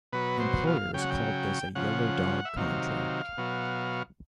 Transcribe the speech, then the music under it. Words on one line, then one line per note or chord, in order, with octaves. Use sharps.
Employers called this a yellow-dog contract.
B2 F#3 B4
C5
F5
C#3 F#3 F#5 G5
G5
C#3 F3 F#5
E5
C3 D#3 F#3 F5
B2 F#3